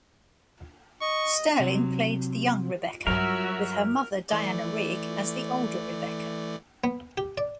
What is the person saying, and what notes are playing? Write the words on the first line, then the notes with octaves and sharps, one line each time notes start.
Stirling played the young Rebeccah, with her mother, Diana Rigg, as the older Rebeccah.
D#5 C#6
C3 F#3
G2 F#3 F#4 A#4 C#5 E5
E3 A3 D5
B3
G4
D5